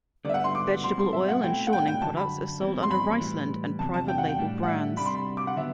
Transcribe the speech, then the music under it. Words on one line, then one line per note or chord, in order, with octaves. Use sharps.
Vegetable oil and shortening products are sold under Riceland and private label brands.
D3 G3 B3 D5 E5
F#5
C6
D6
B2 G3 C4 E4 C6
C6
E5
F#5
B2 A3 C4 E4 G5
F#5
G5
G5
F#2 D3 F#3 A5
B5
E2 B2 G3 C4 E4
C6
B5
A2 E3 G3
E2 C3 F#3 A5
A5
G5
F#5
G5
A2 G3 D4
F#5
E5
C3 G3 D4 B5
C6
B5
D6
F#5
D3 F#3 B3 E5